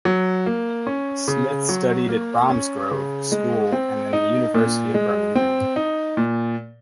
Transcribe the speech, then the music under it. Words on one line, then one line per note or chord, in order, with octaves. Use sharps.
Smith studied at Bromsgrove School and then the University of Birmingham.
F#3
A#3
C#4
C#3
F#3
A#3
C#4
C#3
G#3
C4
D#4
A#2
G#3
C4
D#4
A#2